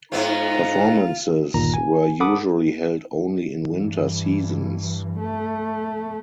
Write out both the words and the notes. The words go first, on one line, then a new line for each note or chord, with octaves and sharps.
Performances were usually held only in winter seasons.
G#2 B3 C4 D#4 F4 A#5
G1 D#2 A#2 D#3 A#5
G#5
A4 F#5 B5 D6 D#6
G2 E3
A3